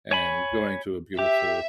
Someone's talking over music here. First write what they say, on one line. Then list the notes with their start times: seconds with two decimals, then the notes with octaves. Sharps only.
and going to a beautiful,
0.11 C#5 G#5 B5
1.19 G4 E5